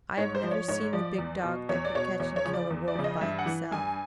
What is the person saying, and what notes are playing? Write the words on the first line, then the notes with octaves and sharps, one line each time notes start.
I have never seen the big dog that could catch and kill a wolf by himself.
G#2 C#5
C5
F3 D5
C#5
G#2 C#5
F3 D5
E2
B2
E2 C#5
D5
B2 C#5
E2 C#5
C#5
C#3 F3
D5
E2
D5
C#3 F3
D#5
G2 E5
F#5
E3
G2 G#5